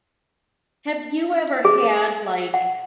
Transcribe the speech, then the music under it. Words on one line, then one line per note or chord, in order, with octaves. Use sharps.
Have you ever had, like
G#4
F#5